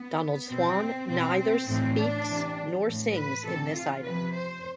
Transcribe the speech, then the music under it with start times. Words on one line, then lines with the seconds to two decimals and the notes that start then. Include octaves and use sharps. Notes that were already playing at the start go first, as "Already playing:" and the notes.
Donald Swann neither speaks nor sings in this item.
Already playing: B3
0.49 B2 C4
1.08 B2 C4
1.38 C4
1.67 A2 E3 C4
1.96 D4
2.26 C3 E3
2.85 A2 E3
3.14 B4
3.44 C3 E3 A4
3.73 F4
4.03 C3 F3 B4
4.32 C5